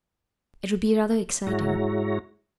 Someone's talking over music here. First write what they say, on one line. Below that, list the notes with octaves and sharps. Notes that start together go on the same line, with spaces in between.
"It would be rather exciting."
G#2 G#3 E4 F#4 C#5 A#5